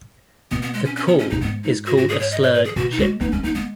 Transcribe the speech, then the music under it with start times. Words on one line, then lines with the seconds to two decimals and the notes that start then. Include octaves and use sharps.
The call is called a slurred "chip".
0.51 B2 B3
0.62 B3
0.74 G#3
0.85 C#4
0.96 C#4
1.07 B3
1.19 C#4
1.30 B2 D#4
1.41 G#2 B3
1.64 D#4
1.86 F#4
1.97 F#4
2.09 G#4
2.20 C#5
2.31 D#5
2.43 C#5
2.54 B4
2.65 G#4
2.76 B2 F#4
2.92 D#4
2.98 G#3 F#4
3.21 B3 D#4
3.32 G#3 C#4
3.43 B3 D#4
3.55 G#3 B3